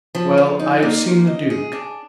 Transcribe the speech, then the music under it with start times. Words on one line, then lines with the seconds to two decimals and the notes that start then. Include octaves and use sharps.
"Well, I have seen the duke."
0.15 F3
0.38 F3
0.59 D#4
0.83 A#3
1.05 A#3
1.27 D#5
1.50 G#4
1.73 D4